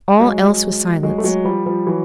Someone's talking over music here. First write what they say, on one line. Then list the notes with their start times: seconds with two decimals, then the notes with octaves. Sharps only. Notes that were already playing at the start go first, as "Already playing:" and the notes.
All else was silence.
0.20 F#3 G#3
1.03 F#3 G#3
1.18 A3
1.24 F#3 G#3
1.44 F3 G3
1.66 F3 G3
1.86 E3 F#3